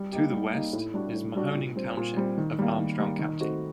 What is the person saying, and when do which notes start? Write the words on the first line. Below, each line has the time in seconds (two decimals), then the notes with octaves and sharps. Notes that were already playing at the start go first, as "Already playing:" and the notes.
To the west is Mahoning Township of Armstrong County.
Already playing: G3
0.12 A#3 D#4 G4
0.32 G3
0.53 A#3 D#4 G4
0.73 A2
0.94 G3 D4 F#4
1.15 A2
1.36 G3 D4 F#4
1.55 A#2
1.76 G3 C4
1.97 A#2
2.17 G3 C4
2.38 D#3
2.59 G3 A#3
2.78 D#3
2.99 G3 A#3
3.19 D#3
3.40 A3 C4 D#4 F#4